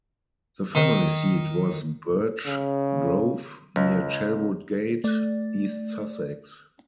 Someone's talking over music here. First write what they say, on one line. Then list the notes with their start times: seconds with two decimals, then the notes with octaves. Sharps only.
The family seat was Birch Grove, near Chelwood Gate, East Sussex.
0.75 D#3
2.47 C#3
3.76 C#2
5.04 A3 D5